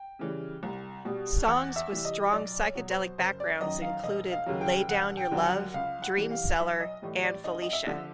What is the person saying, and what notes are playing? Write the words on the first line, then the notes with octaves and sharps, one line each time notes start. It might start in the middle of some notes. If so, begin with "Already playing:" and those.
Songs with strong psychedelic backgrounds included "Lay Down Your Love", "Dreamseller" and "Felicia".
Already playing: G5
C#3 E3 G3
C2
B2 G3
E2 F#5
E5
C3 E3 G3
D#5
B1 D5
C#5
B2 F#3
C5
F#1 C5
D5
F#2 D#3 D#5
F5
E1 D#5
F5
D#2 C#3 F#3
G5
E1 F#5
G5
D#2 D3 F#3
F#5
C#2 F5
F#5
C3 E3 G3
F5
B1 E5
D#5
A2 E3 G3
D5
D2 D#5
D#5
E5
D3 F3